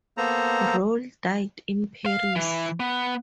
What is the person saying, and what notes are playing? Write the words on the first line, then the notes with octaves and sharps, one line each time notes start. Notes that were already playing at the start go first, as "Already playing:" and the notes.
Rolle died in Paris.
A#3 B3 A4 C5 A#5
F5
E3
B3